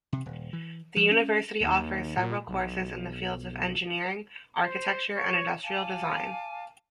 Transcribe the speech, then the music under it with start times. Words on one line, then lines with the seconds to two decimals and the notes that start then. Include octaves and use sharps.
The university offers several courses in the fields of Engineering, Architecture and Industrial Design.
0.13 C3
0.26 D#1
0.53 E3
0.97 F3
1.11 C#4
1.61 D#2
2.17 A#2
2.48 B1
4.63 C5
5.17 C#5
5.64 F5 G#5 A5 D6